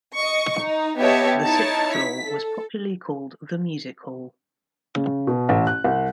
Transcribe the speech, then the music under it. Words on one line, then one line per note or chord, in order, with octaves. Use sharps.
The sixth floor was popularly called the Music Hall.
D#5 C#6
D#4
B3 G4 C#5 D#5 E5 A5
D#4 E4 C#5 A5
B6
A4
C#3
B2
A1
F#6
C2